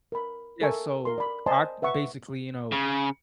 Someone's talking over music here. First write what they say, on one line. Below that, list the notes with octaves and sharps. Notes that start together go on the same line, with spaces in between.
Yeah, so I basically, you know
A#4 B5
A4 A#4 E5 G#5 A5 C#6
A#4 C6
D5 B5
C5 D5 D#5 G#5 A5 C6
B4 E5 F#5 C#6
C#3